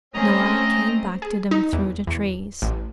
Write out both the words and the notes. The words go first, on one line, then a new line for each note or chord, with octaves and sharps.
Norah came back to them through the trees.
A3 C4 C#4 D#5 A#5
G#4
D#4
E2
E2
A1